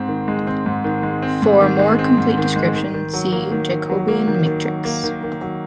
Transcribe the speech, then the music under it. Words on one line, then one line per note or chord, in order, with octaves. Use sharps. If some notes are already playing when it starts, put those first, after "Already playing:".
For a more complete description, see Jacobian matrix.
Already playing: G#2 C4
D#3
G#3
C4
G#2
D#3
G#3
C4
G#2
D#3
G#3
C4
G#2
D#3
G#3
D#3
D#3
F#3
A#3
D#3
D#3
F#3
A#3
D#3
D#3
F#3
A#3
D#3
D#3
F#3